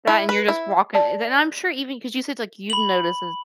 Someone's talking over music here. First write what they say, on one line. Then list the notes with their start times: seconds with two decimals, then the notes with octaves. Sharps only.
That, and you're just walking and then I'm sure, even 'cause you said, like, you've noticed a
0.07 E4
0.29 B4
0.48 E4
0.94 D5 A5
2.70 B5 F#7